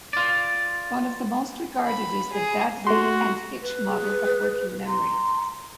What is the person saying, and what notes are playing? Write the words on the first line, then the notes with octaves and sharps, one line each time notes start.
One of the most regarded is the Baddeley and Hitch model of working memory.
F4 D5
B5
G#4
A3 F#4 C6
B4
G#4
A#5 C6